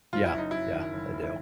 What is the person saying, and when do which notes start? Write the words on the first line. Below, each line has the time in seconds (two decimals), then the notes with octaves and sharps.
Yeah, Yeah. I do.
0.13 F#1 F4
0.26 E4
0.34 F#1 D#4
0.51 F#2 E4
0.74 D#3
0.93 F#1
1.13 F#1
1.24 E4